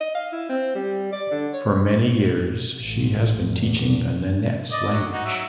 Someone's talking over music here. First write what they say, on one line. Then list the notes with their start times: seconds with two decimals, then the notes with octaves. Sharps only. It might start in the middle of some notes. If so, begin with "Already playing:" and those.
For many years she has been teaching the Nenets language.
0.01 D#5
0.14 F5
0.32 E4
0.49 C4
0.75 G3
1.13 D5
1.31 D3
1.53 C#5
2.80 A1
3.60 E2
4.72 D5 D#5
4.92 F#3
5.13 D#4 F#4
5.25 F#3 E5